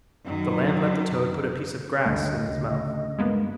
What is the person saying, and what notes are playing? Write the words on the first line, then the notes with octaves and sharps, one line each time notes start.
The lamb let the toad put a piece of grass in his mouth.
F#2 D#3
D2 G2 A3 D#5
D2 C#3
G2 G#3 A#3 B3